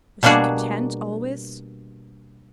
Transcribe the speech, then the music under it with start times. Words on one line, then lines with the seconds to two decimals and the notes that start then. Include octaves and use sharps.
Was she content, always?
0.23 B2 G3 A#3 D4 F#4 G#4